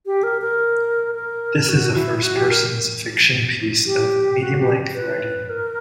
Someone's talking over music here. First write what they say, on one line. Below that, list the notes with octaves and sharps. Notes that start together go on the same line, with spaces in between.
This is a first-person fiction piece of medium-length writing.
G4
A#4
A#4
A#4
F#4
E4
F#4
G4
A#4
G4
F#4
G4
B4
A#4